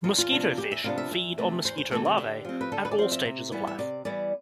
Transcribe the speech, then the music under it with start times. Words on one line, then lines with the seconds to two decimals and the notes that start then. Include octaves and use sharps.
Mosquitofish feed on mosquito larvae at all stages of life.
0.04 E2 F4
0.18 F4
0.31 C3 F3 B3 D4
0.58 E2 G4
0.72 E5
0.84 C3 F3 B3 D4 F5
0.98 E5
1.11 E2 E5
1.38 C3 E3 A3
1.65 E2 C5
1.78 C5
1.91 C3 E3 A3 A4
2.05 G4
2.18 D3 G4
2.45 F3 C4
2.61 B4
2.72 D3 A4
2.85 B4
2.91 D5
2.98 F3 C4 C5
3.12 E5
3.25 C3
3.52 E3 G3 B3 E4
3.67 E5
3.79 C3 D5
4.05 E3 G3 B3 E4 D5